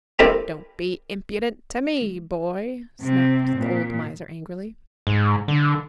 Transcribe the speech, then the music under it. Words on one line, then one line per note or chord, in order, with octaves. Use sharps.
"Don't be impudent to me, boy!" snapped the old miser angrily.
C4 D#4 E4 G4 A4 A#4
C3 C4
A#2
G#2
D3